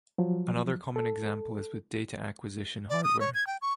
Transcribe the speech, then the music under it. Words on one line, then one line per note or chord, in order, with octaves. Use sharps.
Another common example is with data acquisition hardware.
F3 F#3
A4
D5
D#6
C#5
G#6
G5
C#6